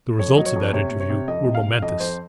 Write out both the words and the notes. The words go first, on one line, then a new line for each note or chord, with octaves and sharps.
The results of that interview were momentous.
F2 C#5
F#3 D#5
C#5
F2
C3 C#5
C3
C#5
C3
F2 D#5
C3
F5
C3
F2 D#5
F2 C5